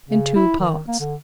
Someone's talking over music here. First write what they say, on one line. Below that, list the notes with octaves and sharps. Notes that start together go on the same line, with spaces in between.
In Two Parts.
C#3
E4
D#3
A#3
D3